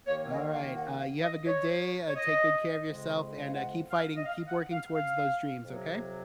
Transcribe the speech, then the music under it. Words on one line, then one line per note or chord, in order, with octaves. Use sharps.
Alright, uh, you have a good day, uh, take good care of yourself, and, uh, keep fighting. Keep working towards those dreams, okay?
D#2 D#3 A#3 C#5
D#5
F5
F#5
F5
D#5
C#5
C#5
D#5
F2 C#3 G#3
F5
F#5
F5
D#5
F5
F#5
F5
F5
F2 C3 F#3